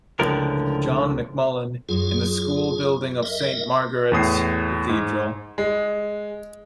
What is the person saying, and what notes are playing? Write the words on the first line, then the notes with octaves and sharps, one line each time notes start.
John McMullen, in the school building of Saint Margaret's Cathedral.
C#2 A2 D3 F3 A#4
F#2 F#3 C#4 F4 G#4
A#4 D#5 E5
E2 A2 D#6 C7
G#2
G#3